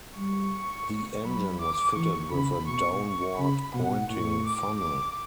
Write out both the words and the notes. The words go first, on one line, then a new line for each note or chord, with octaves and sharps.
The engine was fitted with a downward-pointing funnel.
G3 C#6
F#3 B5
D6
E3 C#6
C#3 B5
B2 C#6
C#6
C#3 B5
B2 F#5
A2 C#6
D6
D6